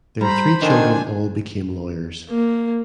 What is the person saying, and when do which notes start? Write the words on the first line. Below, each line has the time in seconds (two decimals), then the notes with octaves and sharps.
Their three children all became lawyers.
0.21 G3 C5 A#5 B5
0.62 D3 D#3 D4 G#5 A5
2.29 A#3